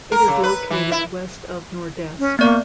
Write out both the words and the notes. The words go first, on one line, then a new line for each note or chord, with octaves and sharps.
It is located west of Nordeste.
A#4
C#3
B4
E3
E4
C#4
A#3 B3 D5 C#6